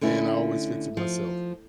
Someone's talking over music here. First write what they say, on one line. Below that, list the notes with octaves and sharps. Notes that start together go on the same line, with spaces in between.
and I always fix it myself.
D3 A3 C#4 E4
F3